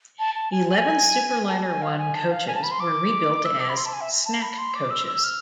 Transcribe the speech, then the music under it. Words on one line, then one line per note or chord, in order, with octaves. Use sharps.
Eleven Superliner I coaches were rebuilt as "snack coaches".
A5
A5
G#5
G#5
A5
G#5
F5
G#5
A5
F5
G#5
A5
B5
C6
D6
E6
D6
B5
C6
A5
G#5
E5
A5
B5
C6
D6
E6
E6
F6